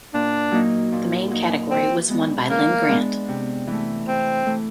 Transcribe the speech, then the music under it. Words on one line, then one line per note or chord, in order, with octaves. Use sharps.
The main category was won by Linn Grant.
A#2 D4
F#3 A#3 D#4
A#2
F#3 A#3 D#4
E3 C4
G#3 B3 D4
E3 A#3
G#3 B3 D4
C3
E3 A3
C3 C4
E3 A3